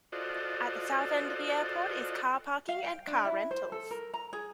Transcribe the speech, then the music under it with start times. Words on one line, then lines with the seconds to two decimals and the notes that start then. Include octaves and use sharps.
At the south end of the airport is car parking and car rentals.
0.12 F4 F#4 A4 C5 D5 D#5
2.69 F5
2.84 G5
3.07 D4
3.25 E4
3.51 C5
3.72 A4
3.91 A#4
4.14 A#5
4.33 G#4